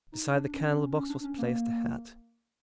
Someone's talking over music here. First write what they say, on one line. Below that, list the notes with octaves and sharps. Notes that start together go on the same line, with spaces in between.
Beside the candle-box was placed a hat.
D#4
D4
C#4
C#4
C#4
D4
C#4
A#3